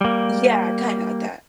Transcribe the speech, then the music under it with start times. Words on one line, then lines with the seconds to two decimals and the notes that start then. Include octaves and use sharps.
Yeah. Kinda like that.
0.01 G3 A#3